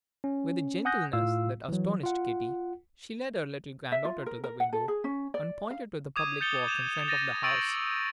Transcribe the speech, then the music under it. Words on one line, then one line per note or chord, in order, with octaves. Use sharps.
With a gentleness that astonished Kitty, she led her little granddaughter to the window, and pointed to the public walk in front of the house.
C#4
F#5 G#5 D#6 F#6 G6 A#6
A2 F4 F5 E6
E3 F#3
F4 F#5
E5
F4
A#4
A#4
F#5
A4
G#4
C#4
D5
F5
D6 D#6 G#6 D#7
G6 A6 C#7 F7 G7
E7 F7
A6 A#6 D#7
C#6 E6 A6 D7 D#7 F#7